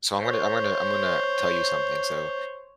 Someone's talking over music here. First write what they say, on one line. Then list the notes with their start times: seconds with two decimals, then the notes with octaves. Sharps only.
so I'm gonna I'm gonna I'm gonna tell you something, so,
0.18 C5 C#5